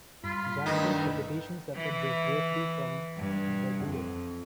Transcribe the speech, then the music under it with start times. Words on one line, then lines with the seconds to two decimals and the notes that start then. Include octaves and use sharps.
Jackson's reputation suffered greatly from the duel.
0.24 G2 F4 B5
0.66 D3 D#3 A3 A#3 D#4 B4
1.75 E3
3.17 G2
3.84 F2